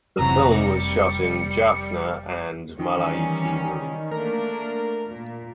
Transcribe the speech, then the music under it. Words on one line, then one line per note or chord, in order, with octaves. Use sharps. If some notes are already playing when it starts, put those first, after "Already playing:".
The film was shot in Jaffna and Mullaitivu.
F1 C3 E3 F#3 F#4 A#5
G3 C#7
D#3 E3 G3 C#4
A3 A#3 D4 A#4
A#2